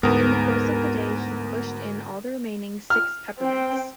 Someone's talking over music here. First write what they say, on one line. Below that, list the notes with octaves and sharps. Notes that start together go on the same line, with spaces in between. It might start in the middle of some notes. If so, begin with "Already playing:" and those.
In the course of the day he pushed in all the remaining six peppermints.
D2 G#2 B3 A#4
F6
C4 G5